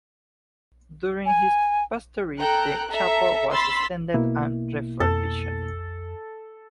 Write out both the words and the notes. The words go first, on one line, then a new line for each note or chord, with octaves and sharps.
During his pastorate the chapel was extended and refurbished.
G#5
A4 G5 A#5 F#6
A4 E5 A#5
B5 C6 E6 A6 B6
B2 A#3 E4
F2 A4